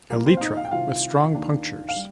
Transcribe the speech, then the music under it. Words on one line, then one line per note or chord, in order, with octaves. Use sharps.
Elytra with strong punctures.
C2 A#2 F3 A#3 A#4
C4 C5
F5
D#4 D#5
F5
G5
C2 C3 D#3 F4 F5
D#2 D#3 A#3 D4
F5
G3